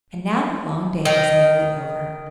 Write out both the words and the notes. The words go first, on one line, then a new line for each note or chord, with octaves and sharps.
And now the long day was nearly over.
D#3